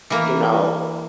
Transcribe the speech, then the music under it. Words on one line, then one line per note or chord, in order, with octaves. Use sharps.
you know,
E3 A#3